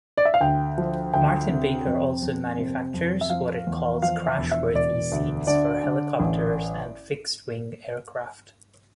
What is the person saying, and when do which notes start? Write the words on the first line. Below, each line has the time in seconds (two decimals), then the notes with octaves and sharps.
Martin-Baker also manufactures what it calls "crashworthy" seats for helicopters and fixed-wing aircraft.
0.17 D5
0.25 E5
0.34 F5
0.41 D2 G5
0.78 F3
1.14 D2 G5
1.49 C3
1.86 F2
2.22 F2
2.58 C3
2.94 F2
3.21 E5
3.30 F3 F5
3.67 E2
4.02 F3 F5
4.27 E5
4.39 E1
4.51 E5
4.75 E1 D5
5.12 D2
5.47 D3 D5
5.84 D3
6.20 A1